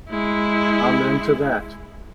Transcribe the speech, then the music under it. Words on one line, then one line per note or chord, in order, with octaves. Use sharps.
Amen to that.
G#3 E4